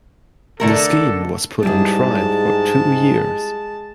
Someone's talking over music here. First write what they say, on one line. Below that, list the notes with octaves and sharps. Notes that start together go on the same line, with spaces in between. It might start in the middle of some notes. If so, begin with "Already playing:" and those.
The Scheme was put on trial for two years.
D3 A3 A4 A#4
G#2 G3 G#3 E4 G#4 A5